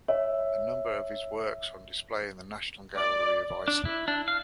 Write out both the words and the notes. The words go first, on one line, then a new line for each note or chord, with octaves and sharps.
A number of his works are on display in the National Gallery of Iceland.
C#5 E5
D5
D4
E4
D4
F5